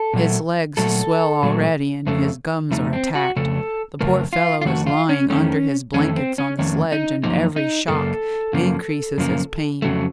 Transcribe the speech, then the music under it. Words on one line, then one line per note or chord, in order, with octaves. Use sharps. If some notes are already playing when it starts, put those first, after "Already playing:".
His legs swell already, and his gums are attacked; the poor fellow is lying under his blankets on the sledge, and every shock increases his pain.
Already playing: A4
A#2 F#3 A3
A#2 F#3 A3 A4
A#2 F#3 A3
F2 C#3 A3
F2 C#3 A3 D#4
C4
F#4
F2 C#3 A3 A4
F2 C#3 A3 A#4
F4
F4
F2 D#3 A3 F#4
F4
C#4
F2 D#3 A3 C#4
F2 D#3 A3 C#4
C4
C#4
F2 D#3 A3 C#4
D#4
F#2 C#3 F3 A#3 D#4
D#4
F#2 C#3 A#3 A4
F#2 C#3 F3 A#3
F#2 C#3 F3 A#3
F2 C#3 F#3 A3